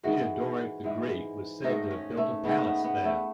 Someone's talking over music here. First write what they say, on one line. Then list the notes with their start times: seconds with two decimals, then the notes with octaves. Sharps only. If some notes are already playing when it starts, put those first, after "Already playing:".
Theoderic the Great was said to have built a palace there.
0.03 G#2 E3 G#3 F#4
0.84 G#2 E3 G#3
1.64 G#2 D#3 A3 D#4
1.90 C#4
2.17 A3
2.44 G#2 D#3 A3 B3
2.64 B3
2.84 B3
3.04 A3